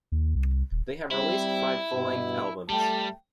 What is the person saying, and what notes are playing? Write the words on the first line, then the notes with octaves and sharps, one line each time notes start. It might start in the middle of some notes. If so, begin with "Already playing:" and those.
They have released five full-length albums.
D#2
C2
D#1
G3 C4 E4
G2 B2
G3 A3 G5 A5